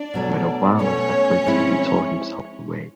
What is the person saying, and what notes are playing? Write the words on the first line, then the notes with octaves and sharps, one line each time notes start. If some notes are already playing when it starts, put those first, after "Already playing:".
And with a violent effort he tore himself away.
Already playing: D4 D5
B2 F#3 A3
B2 F#3 A3 C#4 C#5
F3 G#3 C4 E4